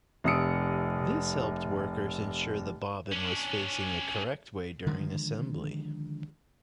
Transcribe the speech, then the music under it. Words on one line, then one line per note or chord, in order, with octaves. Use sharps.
This helped workers ensure the bobbin was facing the correct way during assembly.
F1 C3 D#6 E6 C#7 D7
C#4 D4
D3 D#3 F3 G#3